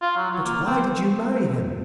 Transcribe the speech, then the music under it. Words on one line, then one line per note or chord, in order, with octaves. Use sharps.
"But why did you marry him?"
F4
F#3
F#3
A#3
C4